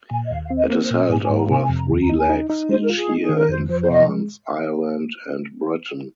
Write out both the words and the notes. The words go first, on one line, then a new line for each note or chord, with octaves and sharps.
It is held over three legs each year in France, Ireland and Britain.
A#2 G#5
D#5
D#2 F5
F5
C4
D#5
A#3 C5
C5
A#2
F5
G#2 G#5
G#5
G#2
A#5
C3 G#5
G#5
F2
A#5
D#2
A#5
D#4
G#5
D#4
D#4
G#3 C5
A#4
F4
G#4
D#4
G#4
D#3
A#4
F2 C5
F3 C5
C5
C3 D#5
G#3